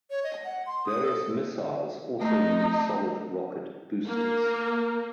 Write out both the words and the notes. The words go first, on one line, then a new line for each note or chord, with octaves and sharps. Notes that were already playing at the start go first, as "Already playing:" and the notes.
Various missiles also use solid rocket boosters.
C#5
D#5
F#5
C6
D#6
A4
A3 D#4
A#3